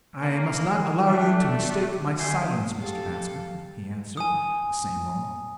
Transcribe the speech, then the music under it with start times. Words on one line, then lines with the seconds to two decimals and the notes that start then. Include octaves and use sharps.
"I must not allow you to mistake my silence, Mr. Bascombe," he answered the same moment.
0.21 A#3
1.06 A3 D4
2.18 D#3 A3 E4 C5 F#5 G#5
2.81 G4 A4 F5
4.17 G#5 D#6